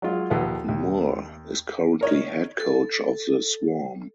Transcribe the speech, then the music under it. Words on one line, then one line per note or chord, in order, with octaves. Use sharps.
Moore is currently head coach of the Swarm.
F#3 G#3 F4
D#2 F3 A4 B4 F#5
D#2
A#4 C#5 D#5
A4